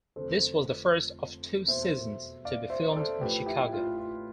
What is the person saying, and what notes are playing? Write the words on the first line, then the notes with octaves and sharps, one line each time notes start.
This was the first of two seasons to be filmed in Chicago.
F1 F2 D3 F3 A4 C5
E2 B2 C5 E5
D5 F5
C5 E5
D5
A4 C5
A1 A2 F3 G4 B4
E4 G4
F4
F4